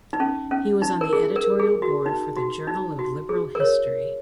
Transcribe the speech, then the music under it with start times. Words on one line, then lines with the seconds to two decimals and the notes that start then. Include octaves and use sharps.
He was on the editorial board for the "Journal of Liberal History".
0.13 D#4
0.20 C#4
0.51 C#4
0.82 D#4
1.01 A#4
1.13 G#4
1.36 A#4
1.59 G#4
1.82 F#4
2.06 D#4
2.36 F#4
2.67 D#4
2.99 F#4
3.29 G#4
3.55 A#4
3.60 C#5